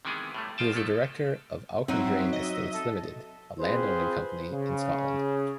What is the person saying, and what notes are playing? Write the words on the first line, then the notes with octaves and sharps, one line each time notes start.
He is a director of Auchendrane Estates Limited, a landowning company in Scotland.
C3 D#3 E3 G#3 B3 G#4
A2 G3 A3
C2 F3 F4 G5 A5
F3 G#3 A3 A4
F#3 C4 D#4 E5
D#5
A4
C4 F4 G#4 B4 C5
C#3